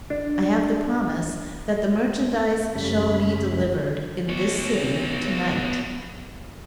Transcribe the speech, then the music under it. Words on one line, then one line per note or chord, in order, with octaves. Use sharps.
I have the promise that the merchandize shall be delivered in this city to-night.
D4
F#2 C#3 G3 A3 C#4 B5
B3 C#5